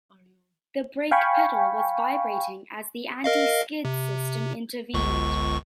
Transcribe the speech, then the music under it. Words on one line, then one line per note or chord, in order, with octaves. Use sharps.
The brake pedal was vibrating as the anti-skid system intervened.
F5 G5 G#5 B5 C#6
A#4 D#5 F5
C3
G1 C#2 C#6